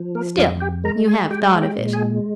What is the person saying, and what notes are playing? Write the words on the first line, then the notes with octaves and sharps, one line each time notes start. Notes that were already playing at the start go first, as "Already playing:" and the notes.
"Still, you have thought of it?"
Already playing: F3
A#3 A#4
F2 F4 F5
G4 G5
G#3 A#4 A#5
G#4 G#5
G#3 G4 G5
G4 G5
A#2
G#4 G#5